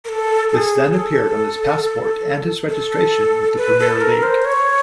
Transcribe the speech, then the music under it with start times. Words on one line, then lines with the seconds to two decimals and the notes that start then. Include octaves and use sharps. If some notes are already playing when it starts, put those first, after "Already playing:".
This then appeared on his passport and his registration with the Premier League.
0.05 A#4
0.09 A4
0.49 A4
0.54 G#4
0.93 A4
2.69 A4
3.57 B4
3.79 A4
4.01 A#4
4.23 C5
4.44 C#5